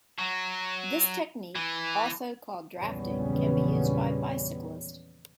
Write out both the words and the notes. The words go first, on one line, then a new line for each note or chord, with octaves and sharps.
This technique, also called Drafting can be used by bicyclists.
F#3
E3
A#1 E2 C#3 G3 B3 C#4